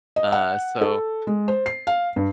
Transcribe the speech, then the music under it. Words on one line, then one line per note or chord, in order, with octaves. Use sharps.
Uh, so
D#5
F#5
A4
G#3
C5
C7
F5
G2